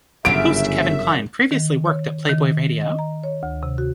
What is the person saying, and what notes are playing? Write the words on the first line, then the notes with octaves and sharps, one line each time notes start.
Host Kevin Klein previously worked at Playboy Radio.
G1 F#2 C#3 F4 E5 D7
D#3
C#5
D#3
D#5
A#5
C#5
D2
C3
F#4